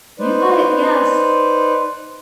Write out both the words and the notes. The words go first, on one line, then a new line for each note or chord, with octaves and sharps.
You got yes.
D#4 B4 C5 D5